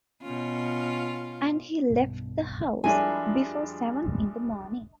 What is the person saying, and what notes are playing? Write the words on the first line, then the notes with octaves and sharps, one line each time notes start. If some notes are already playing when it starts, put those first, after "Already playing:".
And he left the house before seven in the morning.
B2 C#4 F4
B1 G2 B2
F2 G3 G#3 D4 E4 A#4 G#5